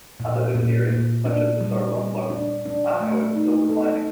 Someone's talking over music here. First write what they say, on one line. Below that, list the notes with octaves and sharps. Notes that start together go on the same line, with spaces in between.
Other urban areas, such as Dessau-Roslau are however still declining.
A#2
A#2
A#2
D4
G3
G3
D4
D4
A3
D#4
A4